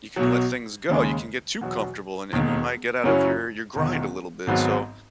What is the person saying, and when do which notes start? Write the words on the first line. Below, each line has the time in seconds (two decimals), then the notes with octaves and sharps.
you can let things go, you can get too comfortable and and you might get out of your your grind a little bit, so,
0.16 B1 B2 F#3
0.89 D#2 C#3 G#3
1.61 E2 B2 F#3
2.33 E1 D#2 D#3
3.04 F#2 C#3 F#3 C#4 E4
3.75 E1 E2 D#3
4.47 G#1 G#2 F#3 B3